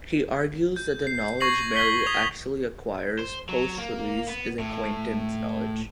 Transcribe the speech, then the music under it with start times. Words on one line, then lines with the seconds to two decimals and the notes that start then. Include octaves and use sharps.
He argues that the knowledge Mary actually acquires post-release is acquaintance knowledge.
0.76 G6
1.07 C7
1.40 C#6 G#6 A#6 C7 F#7
1.75 G#6 B6 G7
2.06 D#6 F7
3.19 C5
3.49 F#3
3.77 A#3
4.27 B3
4.59 A2